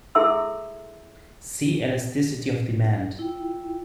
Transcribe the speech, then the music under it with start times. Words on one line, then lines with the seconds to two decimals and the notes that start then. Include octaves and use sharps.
See Elasticity of demand.
0.15 E4 G#4 A4 E5 C6 E6
3.19 E4 F4 G5